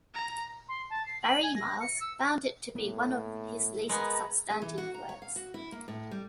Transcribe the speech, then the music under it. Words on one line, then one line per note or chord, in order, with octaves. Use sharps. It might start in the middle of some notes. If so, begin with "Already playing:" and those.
Barry Miles found it to be one of his "least substantive" works.
A#5
C6
A5
C7
F#7
G#5
A#6
C#7
E6
A2 A#3 B3
G#3 B3 A#4 D#5 A#5
G#4
E3
F#4
A#5
C#5
F5
F#4
E4
A#3
A2
G3